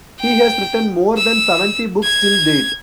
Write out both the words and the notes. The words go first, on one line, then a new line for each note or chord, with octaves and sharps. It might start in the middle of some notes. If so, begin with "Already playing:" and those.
He has written more than seventy books till date.
G5
E6
G#6